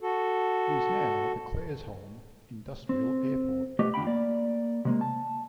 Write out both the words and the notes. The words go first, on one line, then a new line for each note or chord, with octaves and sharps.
It is now the Claresholm Industrial Airport.
F#4 A4
C4
B1 A3 B3 G4 D#5
F2 D3 F5 G5 B5
A#3 D5
C3 G#3 A#3
A5